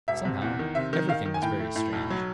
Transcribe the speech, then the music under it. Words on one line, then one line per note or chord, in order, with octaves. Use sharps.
Somehow--everything was very strange.
E1 E5
C3
E2
D#3
C3 E5
D#3
D#3 F5
D#3
G#5
A2 G5
A3
A2
B1
F#3